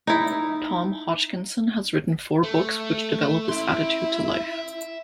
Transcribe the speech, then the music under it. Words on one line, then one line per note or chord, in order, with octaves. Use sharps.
Tom Hodgkinson has written four books which develop this attitude to life.
D#4 E4
A3
E4 E5 C6